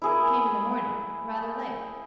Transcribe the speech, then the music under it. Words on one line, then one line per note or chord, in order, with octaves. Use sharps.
It came in the morning, rather late.'
E4 G#4 A#4